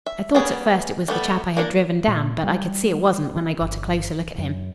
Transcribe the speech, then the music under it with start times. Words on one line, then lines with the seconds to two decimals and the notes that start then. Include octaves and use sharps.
I thought at first it was the chap I had driven down, but I could see it wasn't when I got a closer look at him.
0.06 E5
0.34 G3 A#3 B3 C#4 G#4
1.08 G3 A3 B3
1.57 A#3 D4 A#4
2.08 A#2
2.44 G3
3.36 E3
3.61 G1
4.38 F#2